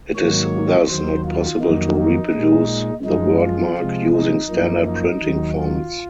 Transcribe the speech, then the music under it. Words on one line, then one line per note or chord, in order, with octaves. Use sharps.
It is thus not possible to reproduce the wordmark using standard printing fonts.
G#2 D#3 F#3 A#3 C#5
D#2 D#3 F#3 C5
F4
F2 D#3 F#3 A#3 D#4
D#4
A#2 G#3
F#2 F3 G#3 D#4
F4
C3 F3 G#3
D#4
F#2 F3 A#3
D#4
D#2 D#3 F#3
F4